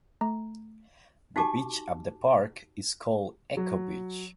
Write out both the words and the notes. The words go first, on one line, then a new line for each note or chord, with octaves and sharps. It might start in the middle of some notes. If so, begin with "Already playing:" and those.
The beach at the park is called Echo Beach.
A3 A#5
D#4 F#4 G4 G#5 A5 D6
F#3